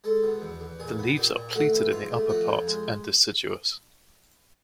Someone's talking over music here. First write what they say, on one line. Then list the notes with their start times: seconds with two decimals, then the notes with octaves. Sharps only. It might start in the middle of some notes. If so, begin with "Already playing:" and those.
The leaves are pleated in the upper part and deciduous.
0.04 G#3 A4
0.23 B2
0.41 E2
0.60 E2
0.79 A#2 G#4
0.98 B3
1.17 A#2 G4
1.36 A#2
1.54 A3 F#4
1.73 E3
1.92 G#2 F4
2.11 A3
2.29 F3 F#4
2.48 F2
2.67 G#3